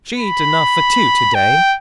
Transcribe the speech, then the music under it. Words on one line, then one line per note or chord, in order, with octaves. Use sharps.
She eat enough for two to-day.
B5
G5